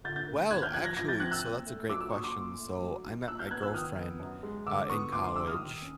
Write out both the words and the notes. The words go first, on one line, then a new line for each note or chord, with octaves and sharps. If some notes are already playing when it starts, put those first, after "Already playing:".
Well, actually, so that's a great question. So, I met my girlfriend, uh, in college
D3 G6 A6
G6 A6
A#3
D#2 F#6 G#6
F6 G6
F3 F#6 G#6
G#6 A#6
F3 G#6 A#6
G6 A6
C4 F#6 G#6
E6 F#6
A#2
A3
F#3 D6 E6
D6 E6
A#2 C#6 D#6
C6 D6
A#2
A3
F#3
D#4
A#2 E6 F#6
F6 G6
B3 F#6 G#6
E6 F#6
D#3 D#6 F6
B3
F#2
G#3
D3 D6 E6
B3 C#6 D#6
D2 C6 D6
C6 D6
G3 D6 E6
D#6 F6
D#3
C#4